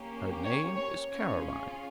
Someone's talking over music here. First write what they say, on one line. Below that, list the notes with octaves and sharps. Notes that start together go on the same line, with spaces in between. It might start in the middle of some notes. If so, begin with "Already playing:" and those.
'Her name is Caroline.
Already playing: A#3 C#4 G4
C#5
C#5
C#4 F4 G#4 C#5